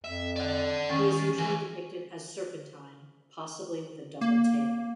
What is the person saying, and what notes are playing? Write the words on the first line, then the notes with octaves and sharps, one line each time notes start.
He is usually depicted as serpentine, possibly with a double tail.
F2 E5
D5 F#5
D#3 C#4
E3
A#3